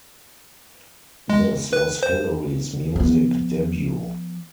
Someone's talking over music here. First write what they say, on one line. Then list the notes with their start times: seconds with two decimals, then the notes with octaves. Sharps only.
This was Hilary's music debut.
1.30 G#3
1.73 B4
2.03 C5
2.96 F3 B3